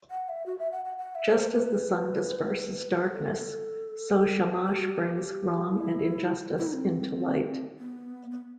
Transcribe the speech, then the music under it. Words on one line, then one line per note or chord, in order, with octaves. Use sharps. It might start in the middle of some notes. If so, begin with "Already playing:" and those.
Just as the Sun disperses darkness, so Shamash brings wrong and injustice to light.
F#5
E5
F#4
E5
F#5
F#5
F#5
E5
C5
B4
A4
G4
F#4
G4
E4
E4
D#4
C4
B3
B3